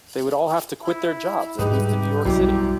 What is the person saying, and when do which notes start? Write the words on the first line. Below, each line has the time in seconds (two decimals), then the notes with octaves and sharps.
They would all have to quit their jobs and move to New York City.
0.82 E4
1.59 G#2 G3 D#4 G4 G#4 B4
2.25 B1 F#2 G3 E4 F#4 G4